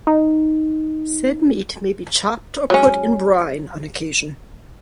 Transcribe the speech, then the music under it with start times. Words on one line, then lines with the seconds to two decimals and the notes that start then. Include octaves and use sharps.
Said meat may be chopped or put in brine on occasion.
0.07 D#4
2.70 F#3 G#3 C#4